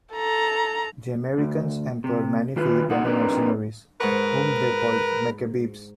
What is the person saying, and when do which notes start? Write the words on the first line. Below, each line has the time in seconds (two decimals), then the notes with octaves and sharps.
The Americans employed many Filipino mercenaries whom they called "Macabebes".
0.14 A4 A#5
1.38 D2
2.04 C3
2.56 D#3 F4 B4
2.89 C2 D#4 F#5
3.04 C4 D4 D#4 A#4 B4 D5
4.00 G#2 A#4 B4 F#5 C#6